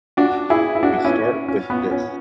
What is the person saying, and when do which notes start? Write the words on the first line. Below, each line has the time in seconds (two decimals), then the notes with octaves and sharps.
We start with this.
0.17 D4 F#4
0.50 E4 G#4
0.75 E4
0.83 D4 F#4
1.04 C#4 E4
1.48 C#4
1.70 B3
1.91 C#4